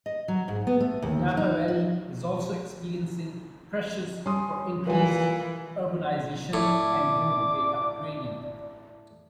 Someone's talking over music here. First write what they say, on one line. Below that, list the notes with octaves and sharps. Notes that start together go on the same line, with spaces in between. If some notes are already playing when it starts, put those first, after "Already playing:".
The Napa Valley is also experiencing pressures for increased urbanization and roadway upgrading.
D#5
F#3
G#2
B3
A3
D#2
D#4
F#4
G3 C#4 C6 D#6
A#2 E3 B4 G#5
A2 D5 D6